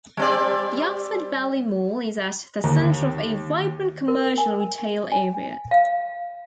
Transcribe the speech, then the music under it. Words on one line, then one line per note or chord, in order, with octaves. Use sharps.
The Oxford Valley Mall is at the center of a vibrant commercial retail area.
G3 C4 D5
D#2 D3
A#4
G#5
G#5
F5